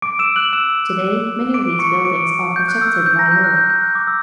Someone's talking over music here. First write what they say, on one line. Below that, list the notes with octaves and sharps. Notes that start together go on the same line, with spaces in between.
Today, many of these buildings are protected by law.
D6 D7
E6 E7
F#6 F#7
E6 E7
D6 D7
C#6 C#7
D6 D7
G6
F#6
E6
G6
G6
A#5 A#6
G6
F#6
G6
G6
F#6
D6
E6